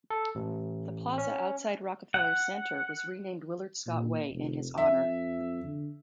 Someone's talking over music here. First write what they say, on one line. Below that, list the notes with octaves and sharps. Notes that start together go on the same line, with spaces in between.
The plaza outside Rockefeller Center was renamed Willard Scott Way in his honor.
A4
A1
C#4
F#5
A#2
F1
F2 E5
D3